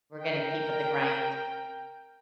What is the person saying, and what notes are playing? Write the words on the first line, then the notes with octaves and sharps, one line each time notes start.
we're gonna keep at the grind.
A#4 G5